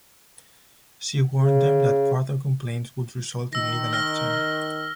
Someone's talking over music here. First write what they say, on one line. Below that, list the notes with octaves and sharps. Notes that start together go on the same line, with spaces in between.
She warned them that further complaints would result in legal action.
C#3
D#3 E6 A#6
F6 A#6 G7